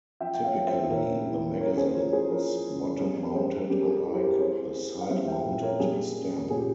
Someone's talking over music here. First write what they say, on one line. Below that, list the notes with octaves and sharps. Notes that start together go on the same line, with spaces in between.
Typically, the magazine was bottom-mounted unlike the side-mounted Sten.
F3 E5 G5
G5
C#5 F5
F3
C5 E5
A#2 A#4 C#5
E4
C#4 A#4 C#5
G#4 C5
F3 A#4 C#5
G#4 C5
F3 A#4 C#5
C#4
G3
A#4
G3 G#4 C5
G3 G4 A#4
A#4
G#4
E4 G4
C5
G4 A#4
C4 G#4 C5
C4
F5
G3 C5 E5
E5 G5
A#2
A#4 C#5
G3 G#4
C#4
A#2 G#4
G4